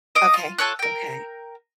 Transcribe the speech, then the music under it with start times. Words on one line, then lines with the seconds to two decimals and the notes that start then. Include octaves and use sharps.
Okay, okay.
0.15 D#5 F5 D6 D#6
0.34 F4
0.58 F4 A4 C#5 F#6
0.79 A#4 G5